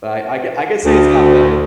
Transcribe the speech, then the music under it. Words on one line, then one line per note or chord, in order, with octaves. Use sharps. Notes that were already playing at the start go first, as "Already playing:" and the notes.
But I I c I can say it's gotten better.
D2